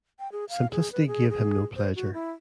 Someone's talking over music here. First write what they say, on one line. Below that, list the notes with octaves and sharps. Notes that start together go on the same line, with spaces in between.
Simplicity gave him no pleasure.
G5
G#4
F5
G#4
B4
G#4
G#4
C5
F#4
E4